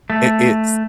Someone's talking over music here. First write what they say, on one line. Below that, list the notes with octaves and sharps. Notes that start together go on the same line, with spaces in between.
i it's
A3